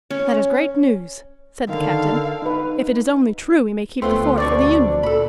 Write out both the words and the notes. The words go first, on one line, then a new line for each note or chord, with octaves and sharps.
"That is great news," said the Captain; "if it is only true we may keep the fort for the Union."
C#4
D3 D#3 F5
D#4 B4
D2 A3 B3 C4 F4 C6
B2 D3 C4 D4 D5 C#6
A#2 A4 B5